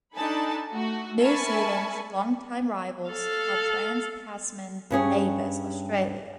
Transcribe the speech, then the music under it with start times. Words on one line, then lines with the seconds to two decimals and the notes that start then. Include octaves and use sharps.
New Zealand's long time rivals are Trans-Tasman neighbors Australia.
0.15 D4 D#4 A4 G#5 A5 B5
0.71 A3 F#4
1.19 A#4 E5 G#5 A5 B5 C#6
3.09 A4 F5
4.90 G2 C#4 G#4 C#5